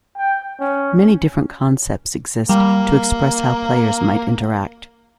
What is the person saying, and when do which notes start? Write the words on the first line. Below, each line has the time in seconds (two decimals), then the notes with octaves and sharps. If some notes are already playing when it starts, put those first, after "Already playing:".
Many different concepts exist to express how players might interact.
0.17 G5
0.60 C#4
2.49 G3 A#3